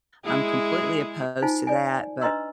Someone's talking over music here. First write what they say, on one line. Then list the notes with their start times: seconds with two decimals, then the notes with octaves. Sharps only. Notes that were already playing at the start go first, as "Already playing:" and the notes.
I'm completely opposed to that, but
0.25 G#3 E4 G#4
1.42 D#4 F4 C5 G#5 A5
1.67 D5 G#5
2.21 D4 B4 D#5 A#5 C6 E6